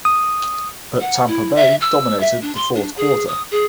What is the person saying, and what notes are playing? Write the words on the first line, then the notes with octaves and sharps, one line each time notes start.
But Tampa Bay dominated the fourth quarter.
D#6
F#5
E4
E5
E6
E5
D4
C6
D4
G#4
D#6
G#4